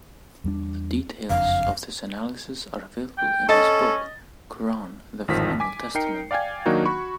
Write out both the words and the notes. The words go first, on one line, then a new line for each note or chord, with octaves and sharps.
The details of this analysis are available in his book, "Quran, the Final Testament".
E2 G3 D4
F#1 F2 D4 F5
G5
C#4 A4 D#5 A6
A1 F2 G#2 D#3 F3 B6
G#5 D6 B6
D#4 A#4 G5 C7 C#7
D5 F5 G5 G#5 G#6
D#3 F#3 A#3 D4 D#4 F#4
F#4 B5 C#6